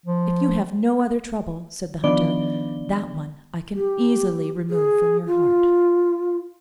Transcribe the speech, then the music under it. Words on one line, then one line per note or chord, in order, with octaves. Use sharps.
'If you have no other trouble,' said the Hunter, 'that one I can easily remove from your heart.'
F3
D#3 F3 B3 D4 D5 G7
G4
G#4
F4